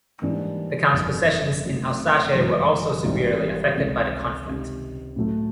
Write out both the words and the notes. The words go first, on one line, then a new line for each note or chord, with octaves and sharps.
The count's possessions in Alsace were also severely affected by the conflict.
G#2 E3 G3 A#3 D4
G1 F2 D3
F#2 D#3 F#3 A3 C4
G1 F#2 C#3 E3 G#3
G#1 G#2 E3 G3 C4
C#2 C3 D#3 G#3 C4
C#2 C3 D#3
A2 F#3 A3